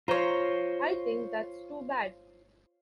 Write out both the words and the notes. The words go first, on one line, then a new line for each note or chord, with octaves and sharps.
I think that's too bad.
F4 C5 C#5 A#5